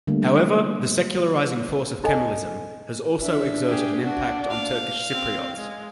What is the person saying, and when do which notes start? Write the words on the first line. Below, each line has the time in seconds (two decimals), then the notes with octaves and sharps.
However, the secularizing force of Kemalism has also exerted an impact on Turkish Cypriots.
0.07 D3 G3 A3 A#3
2.04 D#4 A4 D#5 G#5
3.20 D4 E5
3.68 G4 G#4
4.03 D4 F#4 D5
4.51 F5
5.11 C4
5.57 G#3